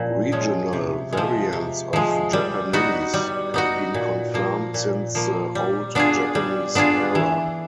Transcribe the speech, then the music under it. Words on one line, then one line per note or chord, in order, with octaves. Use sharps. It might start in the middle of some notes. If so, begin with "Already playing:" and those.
Regional variants of Japanese have been confirmed since the Old Japanese era.
Already playing: A#2 F3 C#4
F3 G#3 C#4
C3
F3 G#3
C3
F3 G#3
G3
B3 D#4 F#4
G3
B3 D#4 F#4
A#2
F3 A#3
A#2
F3 A#3
G3
B3 D4 F4 G#4
G3
B3 D4 F4 G#4
E3